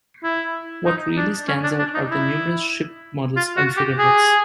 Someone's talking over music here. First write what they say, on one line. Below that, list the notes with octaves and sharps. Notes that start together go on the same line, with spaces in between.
What really stands out are the numerous ship models and figureheads.
E4
D#4
D4
C#4
D4
D4
D#4
E4
F4
F#4
G4
G#4